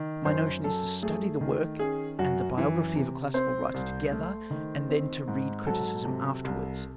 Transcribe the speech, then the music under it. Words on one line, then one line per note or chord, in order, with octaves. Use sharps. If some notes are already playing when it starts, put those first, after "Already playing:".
My notion is to study the work and the biography of a classical writer together, and then to read criticism afterwards.
Already playing: D#3
F#2 C5
F#2 A4
A3 G#4
D#3
C#4 G#4
F#2 F#4
E3
C3
C4 C5
C2
A3
D#3
C4
G#2
F#3 A4
C3
C2